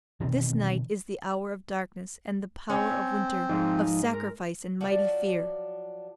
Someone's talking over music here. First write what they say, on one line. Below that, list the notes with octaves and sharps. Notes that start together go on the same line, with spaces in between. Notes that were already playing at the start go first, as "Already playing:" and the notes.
This night is the hour of darkness and the power of winter, of sacrifice and mighty fear.
B2 D#3 E3 C4
C4 C#4
G#2 F3 D#4
A#4
F3 F#3 D4 F#4